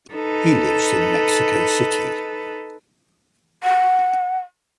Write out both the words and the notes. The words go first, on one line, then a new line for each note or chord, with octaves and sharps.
He lives in Mexico City.
D#4 A4 B4
F#5